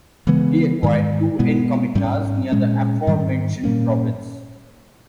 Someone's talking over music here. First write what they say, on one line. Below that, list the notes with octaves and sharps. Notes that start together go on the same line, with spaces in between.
He acquired two encomiendas near the aforementioned province.
C#3 E3 G#3 B3
G#2 D#3 G#3
B2 G#3 B3
G#2 G3 A#3 C#4
A#2 G#3 C#4
G#2 D#3 G3
A#2 G3 A#3 C#4